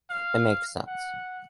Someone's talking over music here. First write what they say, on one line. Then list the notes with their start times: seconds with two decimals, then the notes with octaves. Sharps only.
It makes sense.
0.10 F5
0.87 F#5